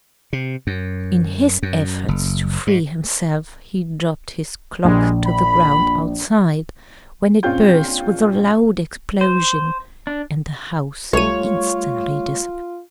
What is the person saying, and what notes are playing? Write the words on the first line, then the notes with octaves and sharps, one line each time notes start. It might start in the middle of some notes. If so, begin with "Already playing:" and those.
In his efforts to free himself he dropped his clock to the ground outside, when it burst with a loud explosion, and the house instantly disappeared.
C3
F#2
F#2
F#1
G#2
A#1 G3 G#3
B5
A#1 C4 C#4 F4 G5 G6
C5
D4
B1 G3 A3 F4 C#5 D#7